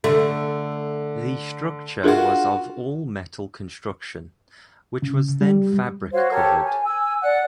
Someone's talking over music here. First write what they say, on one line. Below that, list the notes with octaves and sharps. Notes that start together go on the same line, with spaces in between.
The structure was of all-metal construction, which was then fabric-covered.
D3 A3
D4 F4 F#4 G#4 A#4
C#3
G3
F#4 C5 C#5 F5
G4 A4 A#4 C#5
G#5
G#5 E6
D5 F#5 F#6